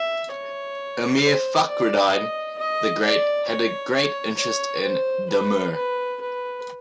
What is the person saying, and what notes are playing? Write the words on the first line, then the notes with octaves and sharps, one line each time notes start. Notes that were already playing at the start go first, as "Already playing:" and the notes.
Emir Fakhreddine the Great had a great interest in Damour.
Already playing: E5
C#5
C5
D5
D#5
D#5
D5
C#5
C#5
C#5
C5
B4
B4
B4